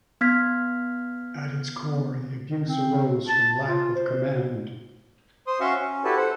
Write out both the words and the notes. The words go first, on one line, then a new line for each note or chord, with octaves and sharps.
At its core, the abuse arose from lack of command.
B3 F6 G#6 B6
C4
A5
F4
C5
C5 C6 D#6
C#4 F#4 E5 F5 C6 C#6
C#4
E4 F#4 G4 A4 B4 A5
A4 C5 F#5